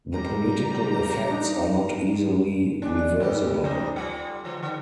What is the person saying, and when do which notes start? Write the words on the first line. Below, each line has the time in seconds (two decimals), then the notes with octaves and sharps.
The political effects are not easily reversible.
0.14 G3 A#5
1.31 D4 D#4
2.82 G#3 D4
3.20 D#2 G3 G4
3.64 F2 D#4 C5
3.96 G3 F4
4.44 D3 F3 G#3
4.63 D3